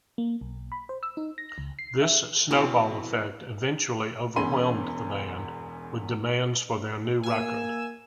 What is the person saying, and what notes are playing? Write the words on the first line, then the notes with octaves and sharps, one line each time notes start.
This snowball effect eventually overwhelmed the band with demands for their new record.
A#3
B1
B5
C5
E6
D#4
A#6
C#2
C7
E5
B2 E3 C4
E1 E2 C#4 B5 C6 D#7
A#3 G#5 E6